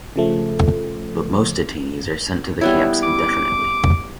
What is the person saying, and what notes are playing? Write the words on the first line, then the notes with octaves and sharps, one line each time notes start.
But most detainees are sent to the camps indefinitely.
C#3 F3 A3
G3 B3 E4 C#5
D6